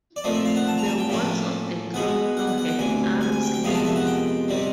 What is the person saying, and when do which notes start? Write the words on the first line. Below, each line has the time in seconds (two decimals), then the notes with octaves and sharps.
The walls of the ground floor had arrowslits.
0.16 D5
0.24 A#2 F3 A3 C4 D#5
0.34 E5
0.46 F5
0.56 F#5
0.67 A5
0.78 A#5
0.84 G#5
0.88 A5
0.99 G5
1.09 A2 F3 A#3 C#4 E4
1.94 B2 G#3 B3 F#5
2.37 F#5
2.47 F#5
2.58 F#5
2.68 G5
2.79 D2 C3 E3 G#5
3.21 G#5
3.32 G#5
3.43 G5
3.54 G5
3.64 F2 C3 D#3 G#3 B3 F5
3.75 A5
3.85 E5
3.96 F#5
4.07 G5
4.48 C3 D#3 G3 C4